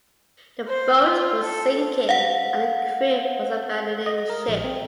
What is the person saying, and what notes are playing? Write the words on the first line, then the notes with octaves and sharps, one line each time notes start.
The boat was sinking and the crew was abandoning ship.
C5
F4
A4
F5 F#5
D#5
A#4
A#1
C4